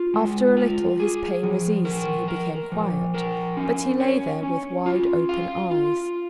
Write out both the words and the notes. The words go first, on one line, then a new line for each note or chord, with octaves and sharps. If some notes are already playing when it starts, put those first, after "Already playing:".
After a little his pain was eased and he became quiet, but he lay there with wide open eyes.
Already playing: F4
G#3
F4
G#4
F3
A#4
A#4
F3
A#4
C#4
C#5
C#4
F4
F5
F4